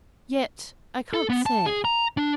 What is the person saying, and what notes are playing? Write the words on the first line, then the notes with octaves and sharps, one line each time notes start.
Yet, I can't say.
A4
B3
A5
G#4
A#5
D4